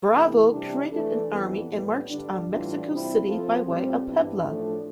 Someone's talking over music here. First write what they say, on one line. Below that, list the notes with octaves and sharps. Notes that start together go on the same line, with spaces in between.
Bravo created an army and marched on Mexico City, by way of Puebla.
C3 E3 A3 E4
C3 E3 G3 D4
E3 A3 D4 A4
F2 E3 G3 B3
A2 G3 B3
G2 D3 G3 D4
A2 E3 G3 D4 F4
C3 G3 C4 E4
F3 C4 F4 A4
A2 G3 C4
G2 E3 B3 D4
A2 F3 A3 D4